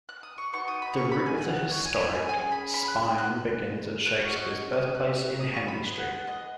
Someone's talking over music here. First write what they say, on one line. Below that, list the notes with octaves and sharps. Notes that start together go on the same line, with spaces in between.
The route of the Historic Spine begins at Shakespeare's Birthplace in Henley Street.
F#6
D#6
C#6
B3 D#4 F#4 C#6
D#6
B5
C#6
B5
G#5
F#5
F#5
C#5
G#5
B5
G#5
C#4 G#4 G#5
B5
B5
F#6
F#6
F#6
C#4 F#4 F#6
C#6
D#5
C#5
D#6
F#6
D#6
C#6
B5
B3 G#4 B5
F#5
F#5
D#5